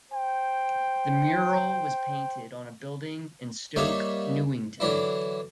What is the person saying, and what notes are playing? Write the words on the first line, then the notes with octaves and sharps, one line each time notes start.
The mural was painted on a building in Stoke Newington.
C5 G5
G3 A#3 D4 D#4 C#5 E5
D3 E3 F#3 D4 E4